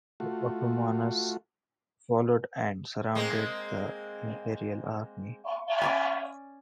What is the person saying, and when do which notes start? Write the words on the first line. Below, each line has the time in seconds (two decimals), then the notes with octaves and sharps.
The Ottomans followed and surrounded the Imperial Army.
0.20 A3 F4 F#4
3.15 G#3 A#3 C4
5.81 C#4 D5 G#5